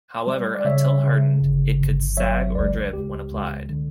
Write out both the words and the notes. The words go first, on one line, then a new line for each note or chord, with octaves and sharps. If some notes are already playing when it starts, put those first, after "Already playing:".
However, until hardened, it could sag or drip when applied.
G3
D5
C#3 C#5 E5
C#3
G1
G1
F#3 C#5 E5
C#2 B4 D5
C#2 G4
C#2
D3